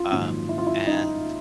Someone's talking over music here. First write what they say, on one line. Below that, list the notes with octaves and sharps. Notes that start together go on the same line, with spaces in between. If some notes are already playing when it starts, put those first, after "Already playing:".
um, and
Already playing: F4
A#1 G#2 D#3 F#3
E4
F4
E4
D#4